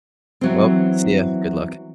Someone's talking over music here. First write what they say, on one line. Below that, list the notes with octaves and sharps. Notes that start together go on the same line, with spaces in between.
Well, see you. Good luck.
E3 F#3 C4